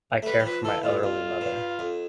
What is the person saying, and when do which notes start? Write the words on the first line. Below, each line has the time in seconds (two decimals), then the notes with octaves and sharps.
I care for my elderly mother.
0.22 A3
0.27 G3 B4
0.39 G3
0.46 F3 B4
0.64 E3 A4
0.83 A2 F4
1.03 F2 F4
1.41 G2
1.79 F2